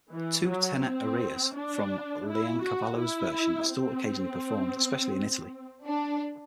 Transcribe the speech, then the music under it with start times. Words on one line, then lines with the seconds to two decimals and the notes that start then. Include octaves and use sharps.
Two tenor arias from Leoncavallo's version are still occasionally performed, especially in Italy.
0.11 E3
0.48 F#3
0.83 C4
1.55 D4
2.27 E4
2.63 F#4
2.99 E4
3.70 C4
5.86 D4